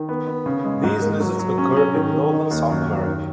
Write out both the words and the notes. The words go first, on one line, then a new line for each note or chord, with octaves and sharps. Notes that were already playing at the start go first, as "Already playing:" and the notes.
These lizards occur in northern South America.
Already playing: D#3
B3
B3
C#3
G#3
G#2
A#3
F#3
F#3
C#4
C#4
D#3
D#3
D#4
D#2
F#2
F#2
D#3